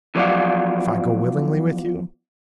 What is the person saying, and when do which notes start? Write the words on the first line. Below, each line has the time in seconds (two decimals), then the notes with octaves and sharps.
"If I go willingly with you?"
0.15 E2 F3 F#3 D5 F5 F#5